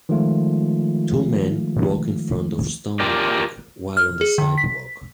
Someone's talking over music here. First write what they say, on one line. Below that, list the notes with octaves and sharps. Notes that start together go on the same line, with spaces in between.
Two men walk in front of stone work, while on the sidewalk.
D#3 F3 G#3 A3 F4
F4 G4 A#4 D5
F6
G#4
D3
B6